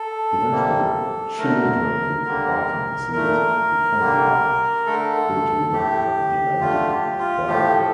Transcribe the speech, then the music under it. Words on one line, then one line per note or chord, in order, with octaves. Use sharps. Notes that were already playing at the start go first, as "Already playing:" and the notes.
Eventually, children with Batten disease become blind, bedridden, demented, and die.
Already playing: A4
C3 G3 A#3
D3 A3 A#4
D3 G3 A#3
A#2 A3 A#4
D3 G3 A#3
D3 A3 A4
A2 A3 G4
D3 A3 F4
G4
F4
A2 F3 A3 G4
A4